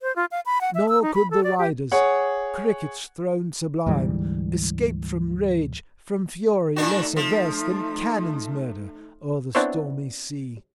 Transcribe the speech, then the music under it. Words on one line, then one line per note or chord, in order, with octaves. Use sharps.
Nor could the riders, crickets throned sublime, escape from rage, from fury less averse than cannons murder o'er the stormy sea.
C5
F4
F5
B5
F#5
E5
E6
D#4
B5
A4
D5
G4
G#4 C#5 F#5
D2 G#2 E3 G3
A#2 A3 D4 D#4 F#4
F3
B3 C4 D4 E4 C5 C#5